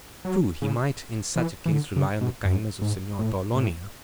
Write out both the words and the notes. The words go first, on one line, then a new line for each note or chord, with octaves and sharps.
True, he might in such a case rely on the kindness of Signor Torlonia.
F#3
C#3
E3
E3
D3
C#3
B2
F#2
G#2
A2
A2